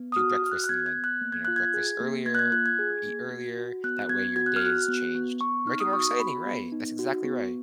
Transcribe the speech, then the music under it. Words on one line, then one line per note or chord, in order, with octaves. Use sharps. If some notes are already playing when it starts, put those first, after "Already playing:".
do breakfast and then you know, breakfast earlier or eat earlier. That way your day is changed. Make it more exciting, right. That's exactly right.
Already playing: B3
D#6
F#4 F6
F#4 F6
F#6
F#6
B3 G#6
G#6
B3
F#6
A#3
G#6
F4 F#6
G#6
G#4
A#3
A#3 G#6
F#6
G#6
F4 F#6
G#6
G#4
A#3
F#4
F#4
B3 F#6
B3 G#6
F#4 G#6
F#6
F6
F#4 F#6
B3
B3
B3 C#6
D#4 F6
D#6
F#4 C#6
B3 B5
B3
D#4
F#4
B3